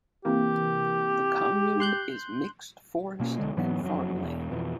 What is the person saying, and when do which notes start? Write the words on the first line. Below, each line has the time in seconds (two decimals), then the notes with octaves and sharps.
The commune is mixed forest and farmland.
0.25 C3 E3 A#3 G4
1.80 C6 F#6 G6
3.20 B2 A#3 C#4
3.38 B1 D3 G#3
3.57 G#2 E3 F#3 B3
3.82 F#1 F2 G#2 F#3
4.22 E1 E2
4.51 F2 B2 E3